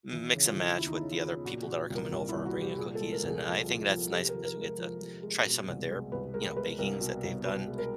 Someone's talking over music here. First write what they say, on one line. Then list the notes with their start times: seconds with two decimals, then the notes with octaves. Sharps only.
m mix and match with the other people that are coming over and bringing cookies, and I think that's nice 'cause we get to try some of their, you know, bakings that they've done.
0.12 E3
0.34 C#3
0.45 F4
0.56 E3
0.78 D#2 E4
0.87 D#4
0.95 E4
1.00 C#3
1.12 F4
1.23 C#3
1.45 A#2 F#4
1.62 F#4
1.68 A#2
1.90 C2
1.95 A#4
2.12 C2 F4
2.29 E4
2.34 C2
2.46 F#4
2.57 C2 G4
2.78 A#2 G#4
2.95 A4
3.01 G#3
3.12 A#4
3.23 C2
3.29 G#4
3.45 F3
3.67 F3
3.89 F3
4.12 C3 A4
4.29 A#4
4.34 F3
4.45 A#4
4.57 G#3
4.62 A#4
4.78 F3
5.00 F3
5.23 G#3
5.45 B2
5.68 C2
5.90 G#3
6.12 C2 B4
6.34 G#3 A#4
6.56 G#3 B4
6.78 C2 A#4
7.00 B2
7.23 C2
7.45 B2 B4
7.68 G#3
7.78 A#4